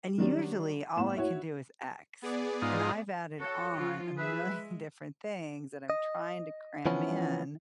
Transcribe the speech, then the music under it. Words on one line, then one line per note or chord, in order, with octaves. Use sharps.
And, usually, all I can do is X, and I've added on a million different things that I'm trying to cram in
D#3 F#3 G3 D4
A2 B3 E7
E4 F#4 C#5
B3 G#4 D5
G#2 D#4 F4
F#4 A4 C#5
F3 F4
G#4 B4 E5
G#3
D#5
E3 F3 B3 C#4